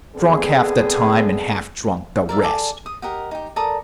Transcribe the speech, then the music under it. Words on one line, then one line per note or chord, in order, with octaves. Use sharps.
Drunk half the time and half drunk the rest.
D3 B3 C4 G#4
A#4 D5 E5
G#4 A4 D5 D6
D#6
G4 A#4 D#5 F#5
D#4 G4
A4 A#4 D5 D#6